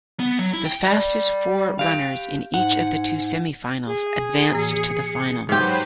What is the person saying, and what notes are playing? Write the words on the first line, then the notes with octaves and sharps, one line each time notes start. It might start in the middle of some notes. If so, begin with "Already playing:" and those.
The fastest four runners in each of the two semifinals advanced to the final.
B3
F#3
E4
G5
G3
G4 F5
G#2 F#5
G#4
A2 E3 A#3 C#7
G#2 F#3 G4 B4 C5